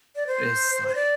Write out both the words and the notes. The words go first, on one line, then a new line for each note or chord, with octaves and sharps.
it's like
D5
C5
C5
D5